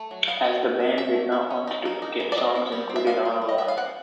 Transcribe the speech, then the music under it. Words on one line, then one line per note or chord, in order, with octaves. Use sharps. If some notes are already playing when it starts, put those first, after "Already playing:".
As the band did not want to duplicate songs included on Alive!
Already playing: A3
F#3
B3 F5
F3
G#3
B3
C#4 E5
A3
E4
C#4
D#4
A#3
D#4
E3
D5
C4 D#5
E4
G3
C4
E5
B3 F5
G3
G3
D#5
B3 E5
F5
C4 F#5